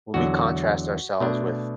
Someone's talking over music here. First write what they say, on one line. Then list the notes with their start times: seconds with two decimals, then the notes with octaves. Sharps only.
When we contrast ourselves with
0.14 E2 D3 F#3 F#4
1.20 B2 A3 D4